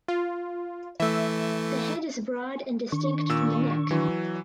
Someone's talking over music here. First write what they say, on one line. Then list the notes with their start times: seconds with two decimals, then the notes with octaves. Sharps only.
The head is broad and distinct from the neck.
0.08 F4
1.00 E3 A3 E5
2.92 D#3 D4 C#6
3.29 A#2 E6
3.91 E3 F#3